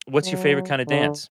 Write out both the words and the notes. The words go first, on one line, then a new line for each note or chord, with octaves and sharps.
what's your favorite kind of dance?
F#3
D3